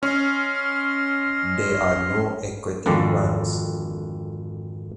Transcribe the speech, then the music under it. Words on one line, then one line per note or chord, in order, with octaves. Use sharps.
There are no aquatic plants.
C#4 D#5 C6 F6
G#1 F2 D3